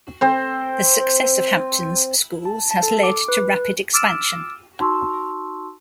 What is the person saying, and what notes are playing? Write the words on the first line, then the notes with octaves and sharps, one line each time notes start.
The success of Hampton's schools has led to rapid expansion.
C4 C5
A5
A5
A4
D6
B4
D6 E6 F6 A6 D7 E7
D#4 F#4 A5 C6 C#6 E6